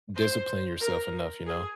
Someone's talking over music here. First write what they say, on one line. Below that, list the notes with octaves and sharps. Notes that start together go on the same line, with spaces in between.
discipline yourself enough, you know?
C5
A#4
G#4